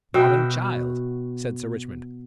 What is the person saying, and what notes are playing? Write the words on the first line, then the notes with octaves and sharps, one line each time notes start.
"Modern child," said Sir Richmond.
B2 F#4 E5 G5